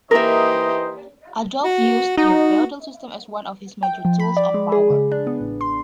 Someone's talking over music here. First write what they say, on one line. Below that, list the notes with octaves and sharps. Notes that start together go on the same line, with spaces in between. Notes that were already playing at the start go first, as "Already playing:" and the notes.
Adolf used the feudal system as one of his major tools of power.
E3 A#3 D#4 G4 A#4 C5 D#5 E5
F#4
D#4 F#4
G5
F3
B5
D5
G#3
G#4
C#3
D4
B3
A1
C6